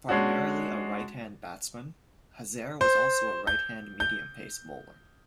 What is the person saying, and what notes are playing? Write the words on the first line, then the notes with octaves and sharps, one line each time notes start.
Primarily a right-hand batsman, Hazare was also a right-hand medium-pace bowler.
G#3 C#4 D4 F#4
C5
G6
G6